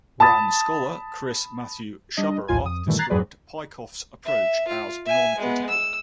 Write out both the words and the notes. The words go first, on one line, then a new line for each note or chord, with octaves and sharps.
Rand scholar Chris Matthew Sciabarra described Peikoff's approach as "noncritical".
A5 B5 D#6 A6
G3 D4 D#5
A#1 D#2 A2 F4 G#5 G#6
F2 D#6
G2 A#2 D#3 E3 G3 A3
A#5 F#6 G#6 A6 C7
F2 G#2 F#3 G#4 B4 D5
E5
F4
E5 G#5
G#3 B3
E6